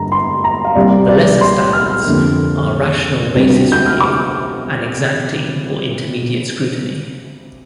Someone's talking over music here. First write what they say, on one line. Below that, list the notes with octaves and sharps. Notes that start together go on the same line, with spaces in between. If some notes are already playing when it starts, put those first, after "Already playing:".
The lesser standards are rational basis review and exacting or intermediate scrutiny.
Already playing: G2 D3 G3 A#3 A#5
C6
A#5
F5
C2 C3 G3 A#3 D5
D5
C6
F6
F2 D3 A#3
D2 C3 G3
G6
F6
D6